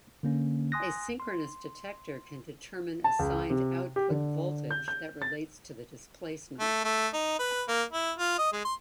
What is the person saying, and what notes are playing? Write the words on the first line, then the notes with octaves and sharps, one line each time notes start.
A synchronous detector can determine a signed output voltage that relates to the displacement.
D3 A#3 C#4
G#5 C6 D#6 F#6 A#6
C6
A5
C#2
C3
G4
D3
G6
G6
A6
A3
A3
D#4
B4
A#3
E4
F4
D#5
G#3
C6